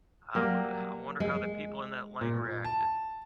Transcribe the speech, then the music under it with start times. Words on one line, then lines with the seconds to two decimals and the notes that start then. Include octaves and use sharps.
I wo how I wonder how the people in that lane reacted.
0.35 F#3 G3 A#3 G4
1.20 G#3
2.21 A#2
2.65 A5